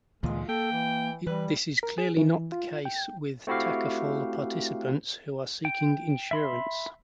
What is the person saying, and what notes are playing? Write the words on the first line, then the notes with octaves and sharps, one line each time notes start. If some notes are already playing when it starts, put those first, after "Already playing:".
This is clearly not the case with Takaful participants who are seeking insurance.
D2 A#2 E3 G#3 F4
A#3 A4 G5
E3
E3 G3 B4
A#4
G#4
E3
F4
G5
A3 C4 E4 F#4 G4 F5
G5
E5 B5 C6